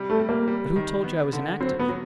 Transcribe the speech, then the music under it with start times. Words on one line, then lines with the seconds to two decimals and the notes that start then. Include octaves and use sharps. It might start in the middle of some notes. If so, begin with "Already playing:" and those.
"But who told you I was inactive?"
Already playing: C3 G3
0.10 A3
0.19 G3
0.29 A#3
0.48 G3
0.76 D#3
1.04 B3
1.33 D3
1.60 F#3 C4
1.79 B3
1.89 F#3